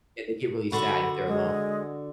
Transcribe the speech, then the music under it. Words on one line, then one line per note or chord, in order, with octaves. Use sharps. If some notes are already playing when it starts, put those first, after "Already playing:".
Yeah, they get really sad if they're alone,
D3 F#4 B5
G#3